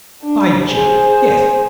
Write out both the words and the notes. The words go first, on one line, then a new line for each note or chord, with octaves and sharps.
By Jove! yes.
D4
G#4 C5